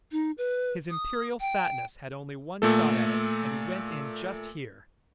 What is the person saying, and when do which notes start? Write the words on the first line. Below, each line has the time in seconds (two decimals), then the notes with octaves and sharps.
"His Imperial Fatness had only one shot at it; and he went in just here!"
0.12 D#4
0.38 B4
0.90 D#6
1.40 G5
2.62 A#2 A3 A4